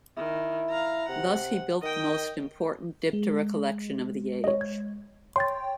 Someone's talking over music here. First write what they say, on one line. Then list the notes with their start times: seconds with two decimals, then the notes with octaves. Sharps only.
Thus he built the most important Diptera collection of the age.
0.17 D#3 E4
0.70 F5 A#5
1.09 C3 F#5
1.82 D#3 D#5 G5
3.13 G#3
4.44 C#5 D#5
4.61 G#6
5.36 C#5 G5 C6 A6